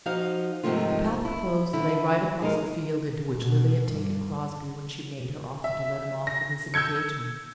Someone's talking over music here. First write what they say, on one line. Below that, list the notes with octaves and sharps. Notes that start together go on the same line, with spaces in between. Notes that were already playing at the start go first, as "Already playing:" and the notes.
The path proposed lay right across the field into which Lily had taken Crosbie when she made her offer to let him off from his engagement.
F3 D#4 F#4 C5 F5
G#2 C3 D#3 F3 A3 F4
E4
D3 E4
G#3 D#4 A#4
B2
G2
E5
A#6
E6 G6 G#6 C#7